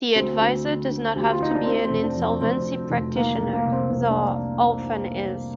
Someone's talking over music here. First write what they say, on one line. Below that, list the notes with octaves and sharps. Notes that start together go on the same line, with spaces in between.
The adviser does not have to be an insolvency practitioner, though often is.
D2 C4
D2
D3
D3
D2 G4
F4
D2 D#4
D4
D3 C4
C4
F1
D4
F2
C4
F1 C4
D3
F1
D#3 A#3
A#3
C2
A#3
C3
C4
C2 C4
D4